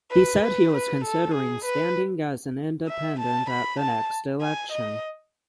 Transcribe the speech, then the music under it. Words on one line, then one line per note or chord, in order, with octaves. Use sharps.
He said he was considering standing as an independent at the next election.
B4
B4
B4
A4
G#4
B4
E5
A5
B5
A5
G#5
D#5